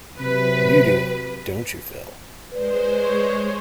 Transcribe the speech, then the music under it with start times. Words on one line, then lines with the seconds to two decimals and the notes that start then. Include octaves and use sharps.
You do, don't you, Phil?
0.20 C3 F#3 B4
2.52 G#3 B4 C5 D5
3.05 C#5